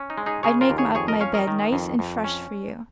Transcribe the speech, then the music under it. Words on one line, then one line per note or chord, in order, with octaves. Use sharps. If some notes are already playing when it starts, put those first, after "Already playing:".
I'd make up my bed nice and fresh for you.
Already playing: C#4
D#4
G#3
D#4 G#4
C#3 G#4 C#5
F4 A#4
D#2
G#4 C#5
F2 G#4 C#5
A#4 D#5
C#4 C#5 F5
A#4 D#5
D#3
F2
F2
C#4